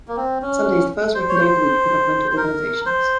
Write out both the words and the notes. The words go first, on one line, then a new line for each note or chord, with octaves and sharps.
Sunday is the first working day of the week for governmental organisations.
A#3
C4
C#4
C5
C#5
C5
C5
A#4
C5